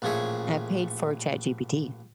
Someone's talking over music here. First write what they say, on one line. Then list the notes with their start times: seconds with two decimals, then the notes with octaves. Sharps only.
I paid for ChatGPT
0.02 A1 A#2 F3 G#4 C#5 E5